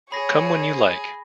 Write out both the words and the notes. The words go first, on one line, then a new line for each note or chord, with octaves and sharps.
Come when you like.
G#4 C#5 B5 A#6